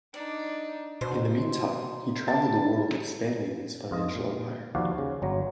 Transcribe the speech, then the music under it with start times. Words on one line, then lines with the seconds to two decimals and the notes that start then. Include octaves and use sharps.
In the meantime he traveled the world expanding his financial empire.
0.14 D4 D#4 D5
1.01 B2 D#4 C5
2.28 A#4 A5
3.91 F2 F4 D#5
4.15 A#2
4.75 D#2 F3 F#4 D5 F5
4.98 C#3
5.22 G1 F#3 A#5